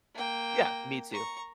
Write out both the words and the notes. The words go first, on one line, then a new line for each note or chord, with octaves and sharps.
Yeah, me too.
A#3 G5
A#5 C#6